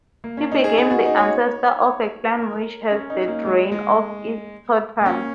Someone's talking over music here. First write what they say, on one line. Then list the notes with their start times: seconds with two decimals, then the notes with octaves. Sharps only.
He became the ancestor of a clan which has the rain for its totem.
0.24 A#3
0.37 C#4
0.52 D#4
0.64 G#4
0.77 G#4
0.90 F#4
1.05 D#4
1.17 C#5
2.38 A#4
2.91 C#4
3.10 D#4
3.28 A#3
3.46 G#3
3.72 G#3
5.01 A#3
5.06 C#4